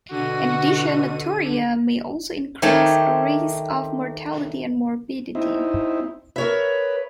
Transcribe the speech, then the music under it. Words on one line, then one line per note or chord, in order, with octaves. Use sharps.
In addition, nocturia may also increase risk of mortality and morbidity.
B2 D3 F#4 D#7
D#3 A3 G4 C#5 A5
C4 D#4 E4
A#4 B4 C#5 E5